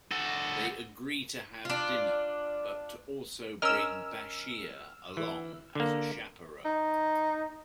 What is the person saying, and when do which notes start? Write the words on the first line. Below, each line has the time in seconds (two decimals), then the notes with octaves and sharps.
They agree to have dinner, but to also bring Bashir along as a chaperone.
0.12 F#4 A4
1.65 D4 F4
3.62 C#4 A#4 D#5 E6 F6
5.17 E3
5.75 D3 A#3
6.65 D#4